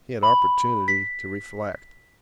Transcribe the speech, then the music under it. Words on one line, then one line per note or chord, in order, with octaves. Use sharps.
He had opportunity to reflect.
B5
B6